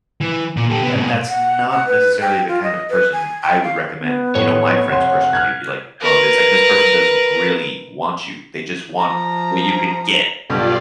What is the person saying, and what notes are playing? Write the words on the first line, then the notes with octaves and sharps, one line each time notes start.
tha that's not necessarily the kind of person I would recommend. You know, my friends, personally, would be like, "No. It's like this person doesn't really want you, they just want what you could get.
E3
A#2
G4 A4
C3 B3
G#2 B2
F#5
F#5
B4
G5
F4
D#5
B4
G#5
G5
F5
B3
A2 C#5
F1 F#5 C6
F6 F#6 G#6
A#4 B4
F3 A#5
B1 G2 F4 D5